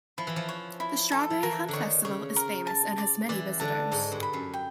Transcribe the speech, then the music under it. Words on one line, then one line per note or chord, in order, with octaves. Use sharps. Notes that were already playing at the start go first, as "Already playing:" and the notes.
The Strawberry Hunt Festival is famous and has many visitors.
F3 E4
E3
F3
C#5
E4
A4
F3
E3 A#4
D3
D#3 C#5
C#3 C#5
A#4
A5
D5
E3 D5
D3 A5
G#2 A4
G2
B5
F#2
G5